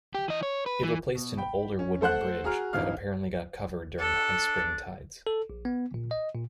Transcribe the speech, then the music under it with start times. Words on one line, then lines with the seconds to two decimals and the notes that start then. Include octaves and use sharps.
It replaced an older wooden bridge that apparently got covered during high Spring tides.
0.15 G4
0.28 E3 D#5
0.43 C#5
0.66 B4
0.83 E3
1.15 B2
1.37 G5 B5
1.79 C#4
2.01 A3 A4 C5 F#5 F#6
2.44 F#4 G#4 A#5 F6
2.73 G#1 G2 E3 D#4 F5 F6
3.99 D4 A4
5.27 A4
5.50 A#1
5.65 B3
5.94 A#2
6.11 D#5
6.35 A#2